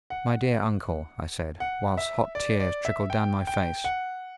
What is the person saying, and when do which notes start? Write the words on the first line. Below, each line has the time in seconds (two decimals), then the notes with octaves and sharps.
"My dear uncle," I said, whilst hot tears trickled down my face.
0.10 F#5
1.60 F#5
1.97 E5
2.35 D5
2.60 D5
2.85 E5
3.10 G5
3.47 G5
3.84 F#5